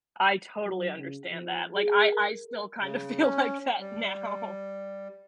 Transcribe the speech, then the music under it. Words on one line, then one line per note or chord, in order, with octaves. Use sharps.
I totally understand that, like, I I still kinda feel like that now.
F#3
C#3
F3
G#4
A#4
C#3
C#4
G3